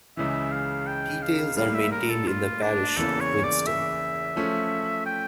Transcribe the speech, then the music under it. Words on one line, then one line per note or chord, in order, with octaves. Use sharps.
Details are maintained in the parish of Winston.
C#2 C#3 E3 E5
F5
G5
F5
A2 G3 A#3 F5
E5
A#4
A4
F4
D4
E2 C#3 E3 A#3 C#4 A4
C#5
D5
E5
F3 A3 C#4
G5